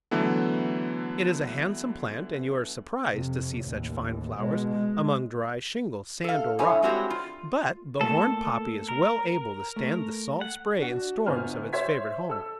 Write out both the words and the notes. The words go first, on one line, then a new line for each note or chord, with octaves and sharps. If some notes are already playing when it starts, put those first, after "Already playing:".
It is a handsome plant, and you are surprised to see such fine flowers among dry shingle, sand, or rock; but the Horned Poppy is well able to stand the salt spray and storms of its favourite home.
D3 E3 F#3 A3 B3
F2 C3
A1 D#2
B2 G#3
G#3
A4 F5
G2 E4 C#5 G#5
G3 G#3 C4 F#4 G4 C#5
F4
A3 A#3 E4 A4
A#4
A3
F#5
D4 F#4
G1 B3 C5 G#5 F6
C5 C#5 E5 C6 G#6 B6
A4 E6